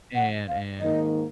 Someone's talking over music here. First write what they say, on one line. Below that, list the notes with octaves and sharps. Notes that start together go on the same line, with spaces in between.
And and
F#5
F5
G#2 D#3 A#3 D#4 D#5